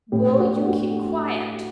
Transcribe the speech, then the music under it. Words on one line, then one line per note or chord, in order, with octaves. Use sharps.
"Will you keep quiet?"
A2 G4
F#4
D4
F#4